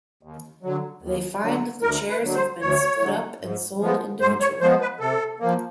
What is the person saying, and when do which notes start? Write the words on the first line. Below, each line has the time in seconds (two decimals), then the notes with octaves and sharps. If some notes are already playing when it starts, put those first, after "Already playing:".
They find that the chairs have been split up and sold individually.
0.23 D#2
0.63 D3 F#3
1.02 D#2
1.42 D3 F#3
1.82 D2 A#4
2.09 B4
2.22 D3 F#3
2.35 C5
2.61 D2 C#5
3.01 D3 F#3
3.42 G#2
3.81 F3 G#3 B3
4.20 G#2 C5
4.41 C#5
4.60 F3 G#3 B3 C5
4.81 B4
5.00 C3 A4
5.40 F3 A#3